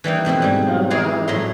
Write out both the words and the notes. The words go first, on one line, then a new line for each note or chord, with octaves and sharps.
Oh, wow.
E3 G3 A#3 D#4
F2 B2 C4 E4
G#2 G3
F#4 G#4 A#4 D5 F5 G#5
A2 F#3 A#5 C6